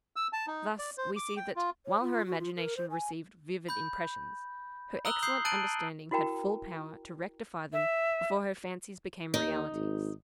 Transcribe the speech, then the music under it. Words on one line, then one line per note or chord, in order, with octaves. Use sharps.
Thus we see that, while her imagination received vivid impressions, her excellent understanding had full power to rectify them before her fancies became realities.
E6
A5
D#4
D5
C5
D6
G5
F4
C#5
F4
F#4
F4
A#4
C5
G#5
B5 G6
A#5 D#6 E6 F#6 F#7 G7
D#6 G6 C7
A5 F#6 A6 D7 D#7 F#7
E4 F#4 A#4 G5 A#5
E5
D#2 D#4
G#1